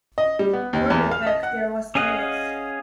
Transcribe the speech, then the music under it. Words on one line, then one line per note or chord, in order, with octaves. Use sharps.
Further back there was chaos.
D#5
G3
B3
D#2
E2
F5
D#5
F#5
C#4 G#4 D#5 F5 F#5